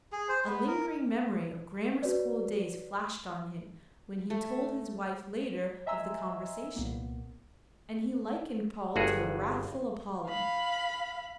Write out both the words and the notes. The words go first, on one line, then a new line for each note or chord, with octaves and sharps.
A lingering memory of grammar school days flashed on him when he told his wife later of the conversation, and he likened Paul to a wrathful Apollo.
G#4
C5
B3
A#4
F#4 B4 C#5 D5
A3
D#5 E5 G#5 A#5 C6 E6
C2 A#2 A#3 B3
G1 G2 F#4 G#4
F5 B5